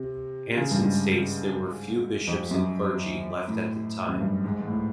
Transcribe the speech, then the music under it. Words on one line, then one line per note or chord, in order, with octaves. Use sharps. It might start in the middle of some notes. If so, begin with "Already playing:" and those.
Anson states there were "few bishops and clergy" left at the time.
Already playing: C3
C#3
G2
G#2
F2
F#2
A2
F#2
G2
G#2
G#2
A2